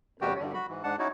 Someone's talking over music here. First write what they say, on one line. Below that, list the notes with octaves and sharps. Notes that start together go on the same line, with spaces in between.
Oh, really?
E2 C3 G3 F#4 G4 G5
G2 D3
F#4 B5
G#2 E3
G#2 G#3 D4 F#5 A5
C#4 D#4 E4 F#4 C#5